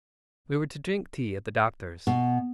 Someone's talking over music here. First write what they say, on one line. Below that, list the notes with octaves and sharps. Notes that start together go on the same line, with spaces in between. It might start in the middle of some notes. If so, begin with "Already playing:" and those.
We were to drink tea at the Doctor's.
B2